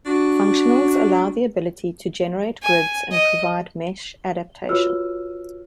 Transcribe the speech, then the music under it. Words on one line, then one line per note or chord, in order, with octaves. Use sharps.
Functionals allow the ability to generate grids and provide mesh adaptation.
D4 F#4
G#5
D#5
F4 F#4 B4 C#5 E6 F6